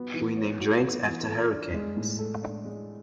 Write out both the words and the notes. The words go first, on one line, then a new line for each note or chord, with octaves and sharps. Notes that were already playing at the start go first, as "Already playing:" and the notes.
We name drinks after hurricanes.
Already playing: B3 F#4
E3
C#5
F#4
B3
E3
A4
D4
G#3
A2
A4
D4
G#3